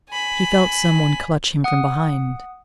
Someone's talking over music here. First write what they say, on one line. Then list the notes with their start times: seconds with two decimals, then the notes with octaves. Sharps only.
He felt some one clutch him from behind.
0.10 G#5 B5
1.64 F#5 D#6